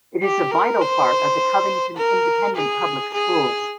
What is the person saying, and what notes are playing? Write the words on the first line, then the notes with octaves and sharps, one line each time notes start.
It is a vital part of the Covington Independent Public Schools.
G4
A#4
C5
A#4
G#4
G#4